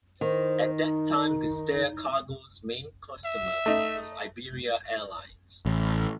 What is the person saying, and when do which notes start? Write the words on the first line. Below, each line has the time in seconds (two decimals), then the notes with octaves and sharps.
At that time Gestair Cargo's main customer was Iberia Airlines.
0.21 D#3 C5
0.80 D#4
3.25 E5
3.66 A3 D#4
5.66 A1